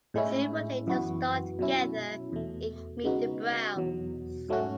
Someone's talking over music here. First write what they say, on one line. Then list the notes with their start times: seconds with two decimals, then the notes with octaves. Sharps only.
The two would later star together in "Meet the Browns".
0.14 A2 G#3 C#4 E4
0.87 F#2 E3 B3 F#4
1.59 B2 F#3 C#4 E4
2.32 E2 B2 A3
3.04 C#3 G#3 B3 D#4 F#4
3.76 E2 B2 F#3
4.49 G#2 F#3 A3 C#4 F#4